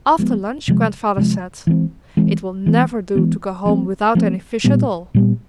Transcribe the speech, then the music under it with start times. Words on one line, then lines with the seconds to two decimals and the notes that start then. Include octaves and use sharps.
After lunch Grandfather said, "It will never do to go home without any fish at all."
0.19 F3 G#3 B3
0.68 C3 F3 G#3
1.17 C3 F3 G#3
1.67 E3 G#3 C4
2.17 E3 G#3 C4
2.66 E3 G#3 B3
3.15 E3 G#3 B3
3.66 F3 A3 C4
4.15 F3 A3 C4
4.64 A#2 G3 B3
5.14 A#2 G3 B3